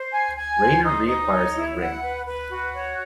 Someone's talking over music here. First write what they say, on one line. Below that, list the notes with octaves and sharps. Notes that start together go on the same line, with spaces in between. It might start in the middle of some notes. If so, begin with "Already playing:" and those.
Rayner reacquires his ring.
Already playing: C5
G#5
G#5
C5
D#4
D#4
C#5
E4
F#5
B4
B4
F#4
C#5